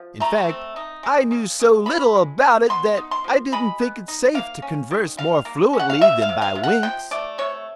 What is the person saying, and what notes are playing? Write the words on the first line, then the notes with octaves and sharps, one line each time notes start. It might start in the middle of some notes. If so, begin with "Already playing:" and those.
In fact, I knew so little about it that I didn't think it safe to converse more fluently than by winks.
Already playing: F3
A3 A#5
C4
D#4
G#3
C#3
C#3
F3 B5
G#3
C#3
B3 C6
D#4
C6
F3
G#3 B5
B3
D#4
A#3 F5
C#4
D#3
G3 F5
A#3
C#4
F#5
F5
A3 E5
F5
C3
F5
C3
F#5
F3 G5
A3 D5
C3 C#5